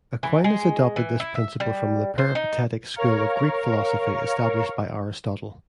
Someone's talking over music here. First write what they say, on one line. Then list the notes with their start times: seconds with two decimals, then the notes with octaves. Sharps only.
Aquinas adopted this principle from the Peripatetic school of Greek philosophy, established by Aristotle.
0.23 E3
0.44 G#3
0.96 E3
1.20 E4
1.35 E5
1.60 G3
2.18 C5
2.35 D#4
2.94 A#4 C#5 F5 A#5 C#6 F6